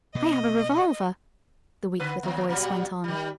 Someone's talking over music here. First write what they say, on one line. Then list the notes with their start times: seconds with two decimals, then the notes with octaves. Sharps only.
"I have a revolver," the weak little voice went on.
0.15 B2 B3 D#5
2.00 D3 B4
2.23 D#2
2.49 A#2 F#3 G3
3.04 D#3 G3